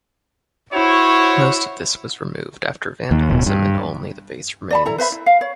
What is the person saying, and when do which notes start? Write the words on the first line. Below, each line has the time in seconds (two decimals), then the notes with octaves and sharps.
Most of this was removed after vandalism, and only the base remains.
0.73 E4 F#4 C5 C#5
3.11 D#2
3.30 D1 B2
3.46 G2
4.70 D5 A5 B5
4.86 E4 A4 A#5
4.98 B4 C5 E5 B5
5.12 E4
5.26 F5
5.41 C#5